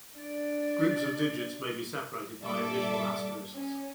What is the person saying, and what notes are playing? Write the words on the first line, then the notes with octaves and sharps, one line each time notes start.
Groups of digits may be separated by additional asterisks.
D4 D5
G2 A#2 A4 D5 E5 D6
C#4